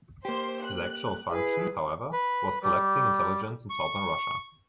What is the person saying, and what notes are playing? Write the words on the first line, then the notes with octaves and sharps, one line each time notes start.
His actual function, however, was collecting intelligence in southern Russia.
A#3 G4 C5 C6
F#6
E4 G#4 B4
B4
G3
C#6